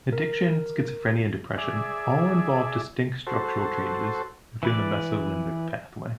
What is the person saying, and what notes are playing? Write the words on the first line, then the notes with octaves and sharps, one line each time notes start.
Addiction, schizophrenia, and depression all involve distinct structural changes within the mesolimbic pathway.
A#4
G#4 D5 E5
F#4 A4 C5
E3 B4 D5